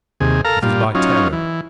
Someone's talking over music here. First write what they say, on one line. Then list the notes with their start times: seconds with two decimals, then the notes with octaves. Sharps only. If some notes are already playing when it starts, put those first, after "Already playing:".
It is by terror.
0.20 D#2 C3 G#4
0.45 A4 A#4 F5 A#5
0.62 A#2 G3 F4
0.95 F#3 C#4 D#4 F4
1.33 E3